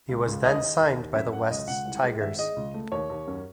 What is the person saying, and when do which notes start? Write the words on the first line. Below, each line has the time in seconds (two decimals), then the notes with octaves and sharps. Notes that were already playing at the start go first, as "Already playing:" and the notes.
He was then signed by the Wests Tigers.
0.09 C#2
0.27 C#2
0.44 D#2 D#5
0.62 D#2
0.79 D#2
0.97 D#2
1.15 F#2 E5
1.33 F#2 F#5
1.51 C#2 D#5
1.68 C#2 F#5
1.86 C2
2.03 G#3
2.21 G#1 E5
2.39 G#3 D#5
2.56 C#2
2.74 A3
2.92 D#2 C#5
3.10 D#2
3.27 F#2